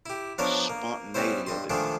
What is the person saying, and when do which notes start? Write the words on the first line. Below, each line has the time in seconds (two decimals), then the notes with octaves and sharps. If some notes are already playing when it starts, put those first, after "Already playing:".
spontaneity of it,
0.06 E4 G4
0.38 F3 B3 D4 A#4 C#5 D#5
0.69 A#3
1.14 G3 B3 C#4 E4 C5
1.47 G2 D#5 C6
1.70 D#3 F3 G#3 A3 D4 G#4